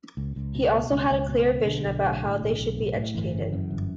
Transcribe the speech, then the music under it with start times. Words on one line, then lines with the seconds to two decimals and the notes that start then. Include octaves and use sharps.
He also had a clear vision about how they should be educated.
0.17 C#2
0.36 C#2
0.55 B2
0.73 B2
0.91 C#2
1.11 C#2
1.28 B2
1.47 B2
1.61 E3
1.65 B1 D3
1.85 B1
2.03 A2
2.22 A2
2.41 B1
2.59 B1
2.77 A2
2.96 A2
3.14 G1 E3
3.33 C#3
3.53 F#2
3.71 G1